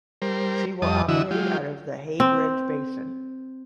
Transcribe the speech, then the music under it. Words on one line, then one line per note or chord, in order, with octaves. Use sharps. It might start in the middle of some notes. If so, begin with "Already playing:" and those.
She will operate out of the Heybridge Basin.
G3 A#4 C5
F2 G3 D#5 A5 D#6
D3 E3 E4 F#4 D#5 E6
F#3 G#3 F4 G4
C4